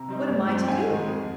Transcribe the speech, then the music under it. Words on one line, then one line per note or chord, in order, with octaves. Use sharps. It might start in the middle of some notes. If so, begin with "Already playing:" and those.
"What am I to do?"
Already playing: C3 A#5
G3 C4 D#4
G2
F3 C4
G5
G#2 G#5
D#3 G#3
F2